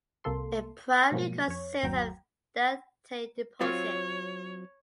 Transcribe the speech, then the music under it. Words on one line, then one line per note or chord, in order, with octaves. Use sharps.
It primarily consists of deltaic deposits.
C2 C3 A#3 A4 C6
F6 G6
G#2 B2 F3 F#3 A#3
F2 C#5
G1 D#2 F#3 G5 A#5
F#3 C4 F4 C#5